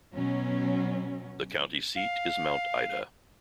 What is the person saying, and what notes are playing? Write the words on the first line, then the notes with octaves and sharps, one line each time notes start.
The county seat is Mount Ida.
B2 F#3 C#4
F5